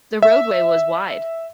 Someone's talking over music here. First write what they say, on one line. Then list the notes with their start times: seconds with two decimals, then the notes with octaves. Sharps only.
The roadway was wide.
0.22 E5